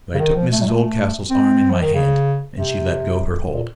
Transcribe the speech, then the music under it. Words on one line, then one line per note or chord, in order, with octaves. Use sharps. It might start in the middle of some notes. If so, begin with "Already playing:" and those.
But I took Mrs Oldcastle's arm in my hand, and she let go her hold.
C#3
D#3
F3
A3
F#3
A3
C4
F3
D#3
C#3
C3
A#2